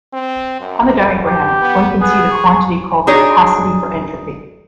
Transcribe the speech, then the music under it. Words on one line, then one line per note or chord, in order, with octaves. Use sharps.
On the diagram one can see the quantity called capacity for entropy.
C4
F#2
G4
B3
B3 G#4
C#6
D4 D#4 F#4 G#4 C#5 D5